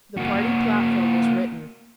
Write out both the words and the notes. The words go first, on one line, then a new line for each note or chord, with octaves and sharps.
The party platform was written.
A#3 F#4